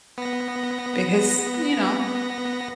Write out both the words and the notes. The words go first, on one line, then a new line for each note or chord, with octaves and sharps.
Because, you know,
B3 A#6